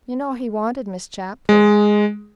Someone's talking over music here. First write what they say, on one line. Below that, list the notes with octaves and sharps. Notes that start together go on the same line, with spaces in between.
You know he wanted Miss Chapley.
G#3